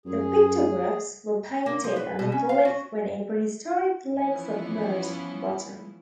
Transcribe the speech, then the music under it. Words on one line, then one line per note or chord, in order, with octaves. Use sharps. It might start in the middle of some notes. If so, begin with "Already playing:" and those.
The pictographs were painted on the cliff when a prehistoric lake submerged the bottom.
F#2 G#4
A#3
F3
B4
B2
C#4
F5
F#4
E3 F3 B3 C#4 E4